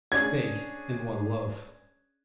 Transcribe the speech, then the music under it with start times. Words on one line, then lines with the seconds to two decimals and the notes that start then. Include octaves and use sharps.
Bake in one loaf.
0.12 C#4 D4 G#4 G#6